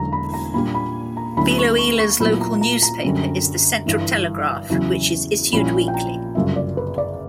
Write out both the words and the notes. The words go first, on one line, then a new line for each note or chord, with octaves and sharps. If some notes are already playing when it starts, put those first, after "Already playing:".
Biloela's local newspaper is the "Central Telegraph" which is issued weekly.
Already playing: E1 E2 D3 F#3 A#5
B5
A#5
A#2 G3 A#3 D4 B5
B5
A#5
D2 D3 F#3 C#4 E4 B5
C#6
C#6
C#6
A#2 F#3 B3 E4 B5
A#5
A#5
A#5
F#2 D3 G3 C#4
G1 G2 E3
E2 C#3 F#3 C#4 E4
A#1 A#2 G3 C#4 E4 B5
G5
A#5
G1 F#2 C#3 E5
D5
B4
D5